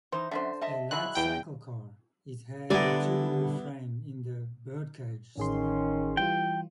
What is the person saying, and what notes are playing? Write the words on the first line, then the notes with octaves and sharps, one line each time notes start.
A light cyclecar, it had a tubular frame in the "birdcage" style.
E3 D#4 C5
F#2 D3 G#3 C5 E5
D#5 E5 A5
F#3 G#3 E4 F#6
E2 G5
D3 G3 B3 E4 D5 G#5 A#5
A1 D#3 C#4 G#4 C6
E3 G3 F4 G5